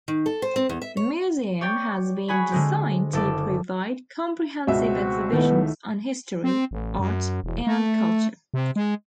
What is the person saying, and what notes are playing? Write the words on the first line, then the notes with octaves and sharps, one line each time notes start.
The Museum has been designed to provide comprehensive exhibitions on history, art and culture.
D#3
A4
C5
C4
E2
E5
C#5
C#5 D5 G5
F#4 G#4 G#5 B5
D3 G#3 C4
F#1 A4 D5
C#2 B2 C4 F#4 E5
D#3 A3 B3 E4
C4
A1
F#2
E1
A3
C3
G#3